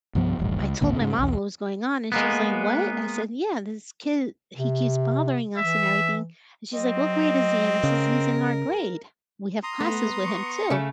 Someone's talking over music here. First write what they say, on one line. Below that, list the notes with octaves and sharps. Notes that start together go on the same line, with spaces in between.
I told my mom what was going on and she's like, "What?" I said, "Yeah, this kid, he keeps bothering us and everything." And she's like, "What grade is he in?" I says, "He's in our grade. We have classes with him too."
C2 G2 F3 B3
D#1 A1 G2
C#2
A1 D#2 A#2 D3
G#2 C#3
B1 E2
G#3 A#3 B3
C3
E3 E5
F#3 C4 D#5
C#3 A#4
A#5 C6 D#6
A3 B3
C#6
C#3 A3